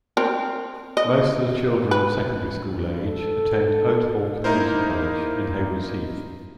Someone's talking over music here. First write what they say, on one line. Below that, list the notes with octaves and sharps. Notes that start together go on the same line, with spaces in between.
Most of the children of secondary-school age attend Oathall Community College in Haywards Heath.
C4 A#4
D#5
B4
A4
A#3 D#4 E4 A#4 C5